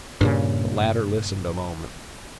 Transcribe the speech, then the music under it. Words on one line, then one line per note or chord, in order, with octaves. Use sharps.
The latter listened a moment.
G2 A#2 C#3